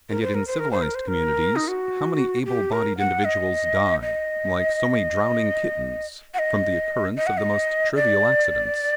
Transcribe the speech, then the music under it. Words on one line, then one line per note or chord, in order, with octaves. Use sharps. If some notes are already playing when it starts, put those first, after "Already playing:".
And yet in civilized communities how many able-bodied individuals die, like so many drowning kittens, from the occurrence of the most trivial accidents!
A#4
C5
A#4
C5
A#4
C5
A#4
C5
A#4
D#4
F#4
G4
A#4
F#5
D#5
D#5
F#5
D#5
D#5
F#5
D#5
D5